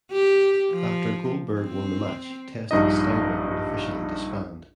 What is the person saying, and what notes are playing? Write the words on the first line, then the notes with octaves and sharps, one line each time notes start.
After Goldberg won the match Test and Steiner would officially disband.
G4
F3
C4
A#1 G2 D#4 D#5